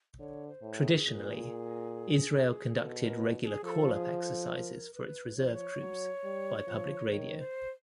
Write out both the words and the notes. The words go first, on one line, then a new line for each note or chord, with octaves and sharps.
Traditionally, Israel conducted regular call-up exercises for its reserve troops by public radio.
D3 C#5
C5
A2
G#4
A#2
B2 A4
A#4
A4
G#4
F3 A4
G#4
A4
A#4
B4
F3 C#5
C5
C#5
F#3
G3
F3
D#3 C#5
C5